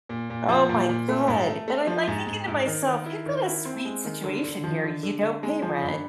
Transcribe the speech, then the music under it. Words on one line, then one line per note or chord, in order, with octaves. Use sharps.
Oh my god. And I'm, like, thinking to myself, "you've got a sweet situation here. You don't pay rent,
A#2
A#2
F3
A#2
A#2
A3
G#2
A3
A3
F3
G#2
G#2
G#2
D#3
D#3
E4
D#3
E4
C4
G#3
D#3
D3
D3
F3
D3
D3
D3
G#3
F3
G2